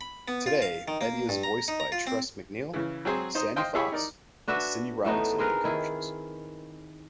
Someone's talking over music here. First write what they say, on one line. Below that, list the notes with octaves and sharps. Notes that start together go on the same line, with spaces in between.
Today, Betty is voiced by Tress MacNeille, Sandy Fox and Cindy Robinson in commercials.
B5
B3
F4
F5
D#3
A#3
G2
A#5
D#4
A#5
F4
C4
C#3 E3
F#3 C4 G#4 C5
D#4 C5 D#5
C5 D#5 F5 G5 C6
E4 G4 G#4 C#5 E5 B5
D#4 A#4 D5
D4 F#4 B4 E5
A2 A3 B3 D#4
C4 G#4 A#4 B4
D#3 E4 G#4